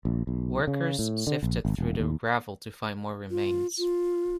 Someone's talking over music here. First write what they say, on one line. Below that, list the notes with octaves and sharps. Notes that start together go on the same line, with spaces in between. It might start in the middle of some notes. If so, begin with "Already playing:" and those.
Workers sifted through the gravel to find more remains.
A#1
B1
C#3
A2
D3
A#1
G#1
E1
D#2
F4
F4